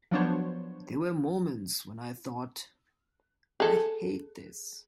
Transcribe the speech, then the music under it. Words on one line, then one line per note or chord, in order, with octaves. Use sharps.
There were moments when I thought, 'I hate this.
F3 F#3 B3 D4 C5 C#5
G#4 A4